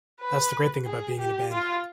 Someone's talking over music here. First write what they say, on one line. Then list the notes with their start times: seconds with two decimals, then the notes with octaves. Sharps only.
That's the great thing about being in a band.
0.21 B4
0.86 G#4
1.19 G4
1.51 F4